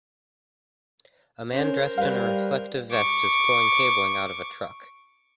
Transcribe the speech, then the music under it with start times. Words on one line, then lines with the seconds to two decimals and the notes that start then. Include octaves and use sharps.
A man dressed in a reflective vest is pulling cabling out of a truck.
1.54 C#4 A#4 C5
1.98 G3 B4 F5
2.92 C#6 D6